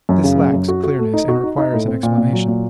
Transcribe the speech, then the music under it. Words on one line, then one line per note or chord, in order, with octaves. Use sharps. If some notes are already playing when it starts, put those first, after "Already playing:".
This lacks clearness, and requires an explanation.
F#2
C#3
F#2
F#2
F#4
F#4
A3
D#4
F#4
D#4
D#4
A2
C4
A#2
A#2
F#3
A#2